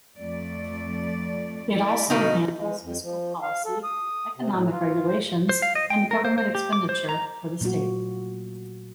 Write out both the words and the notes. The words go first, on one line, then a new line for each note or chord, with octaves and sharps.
It also handles fiscal policy, economic regulations and government expenditure for the state.
F2 A3 D5
A3 E4 D5
B2 D3 D#3 B3 D#4 D#5
G#3
F2
F3
F5
A4
D#6
C3
A2
F4
C5
C5
F5
D#5
G5
A#4
C5
C5
G4
D6
C5
A#5
A#2 F#3 A3 F4 F#4